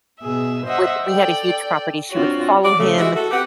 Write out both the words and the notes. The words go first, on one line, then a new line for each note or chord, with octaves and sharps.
would we had a huge property- she would follow him,
B2 G#4 E5
C5 D#5 E5 F#5
A4 D5 G5
C4 D4 F4 F#4 C#5
F#3 D5
C#3 A3
E3 G#3 F#4 G4 E5
F#4 A4
C4 G4 B4 F#5